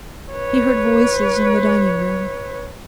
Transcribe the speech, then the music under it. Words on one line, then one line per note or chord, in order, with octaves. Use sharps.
He heard voices in the dining-room.
B4 C#5